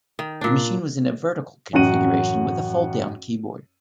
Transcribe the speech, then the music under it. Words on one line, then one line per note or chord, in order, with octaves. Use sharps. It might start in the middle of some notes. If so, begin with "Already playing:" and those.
This machine was in a vertical configuration with a fold down keyboard.
D#3
A#2 D4
A1 F#2 F#4 F#5 D#7